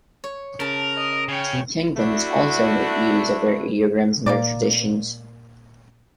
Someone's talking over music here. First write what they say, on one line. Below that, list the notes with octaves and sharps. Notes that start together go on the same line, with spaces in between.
Some kingdoms also made use of ideograms in their traditions.
C#5
C#3 A#4 A5
D#5
C#3 C#5 G5
A3 D4 E4 F#4
A#2 A#3 A#4 D5